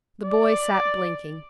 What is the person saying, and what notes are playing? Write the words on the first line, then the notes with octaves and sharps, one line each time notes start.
The boy sat blinking.
D5